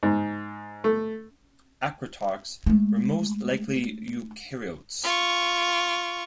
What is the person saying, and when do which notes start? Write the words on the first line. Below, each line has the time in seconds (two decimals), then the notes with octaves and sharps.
Acritarchs were most likely eukaryotes.
0.03 G#2
0.84 A3
2.66 G#3 A3
5.03 F4 C#6